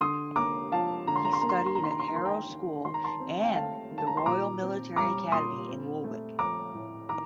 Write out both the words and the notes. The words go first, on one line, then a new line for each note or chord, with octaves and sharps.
He studied at Harrow School and the Royal Military Academy in Woolwich.
D3 C6 D#6
A#3 A#5 D6
F3 F5 A5
D3 A#5
C6
A#5
C6
A#3 A#5
C6
A#5
C6
D#3 A#5
C6
A#5
C6
A#5
A#3 C6
G5 A#5
D#3
D#3 C6
A#5
A5 C6
C4
G5
A3 F5 A5
D#3
A5
A#5
C6
A#2 A#5 D6
C4
G3 A#5 D6
A#2 C6 D#6
C4
A3
F3 A#5 D6
A2
D#3 A#5 D6